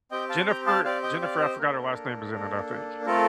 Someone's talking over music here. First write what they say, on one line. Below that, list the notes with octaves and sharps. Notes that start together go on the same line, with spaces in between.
Jennifer Jennifer I forgot her last name is in it, I think.
C4 G4 D#5 G5
F5 A5
G5 A#5
F5 A5
C4 G4 D5 F5
D#5 G5
D5 F5
C5 D#5
A#3 D4 A4 A#4
A#3 D4 A4
A3 C4 F4 A4 A#4